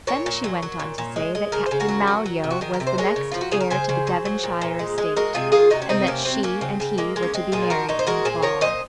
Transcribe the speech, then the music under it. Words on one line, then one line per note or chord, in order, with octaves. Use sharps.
Then she went on to say that Captain Malyoe was the next heir to the Devonshire estate, and that she and he were to be married in the fall.
A#2 A#4 C#5
A#2
F#3
F#3
A#2
A#2
G#3
G#3
C#3 A#4
C#3 C5
F#4 A#4
F#3
F#3
F#3
C3
F#4
D#3 G#4
A#4
C3
C5
G#3 A#4 C#5
C#3
F3 F4
F#4
C#3 G#4
A#4
C#3 G#4 C5
C#3
F#3
F#3
A#2
A#2
G#3
G#3
G#3 F#4 A#4
C3 F4 G#4
D#3 F4 G#4
C3 D#4 F#4
C#4
C3 C4 D#4
C3 A#3 C#4
F#3 C4
F#3 A#3 C#4
C#3 C4
C#3
G#3 A#3
G#3
C#4
G#3 C4
A#2 F4 G#4
F3 F#4 A#4
A#2 D#4 F#4
C5
G#3 F#4 A#4
A#2 G#4 C5
F3 A#4 C#5
A#2 C5 D#5